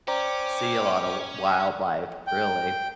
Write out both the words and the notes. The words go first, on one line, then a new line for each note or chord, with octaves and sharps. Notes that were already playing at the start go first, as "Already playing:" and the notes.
see a lot of w wildlife, really.
C#4 C5 D5 G5 A#5 D6
G5